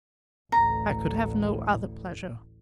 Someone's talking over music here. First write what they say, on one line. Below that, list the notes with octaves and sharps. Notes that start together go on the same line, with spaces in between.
I could have no other pleasure.
A1 D2 A#5